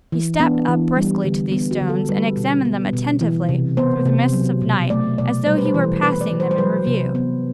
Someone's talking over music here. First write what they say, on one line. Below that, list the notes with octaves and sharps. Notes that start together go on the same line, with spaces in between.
He stepped up briskly to these stones, and examined them attentively through the mists of night, as though he were passing them in review.
E3
B3 D4
E3
G3
D3
B3
F#4
D3
A4
G3 B4
B2
B3
B2
E3
C3
B3 C5
C3
F#3
B2
A3 D5
B2 D5
G3 C5
B4
C5
E3
A4
B3 B4
D5
E3
C5
C5
F#3 B4
C3
B3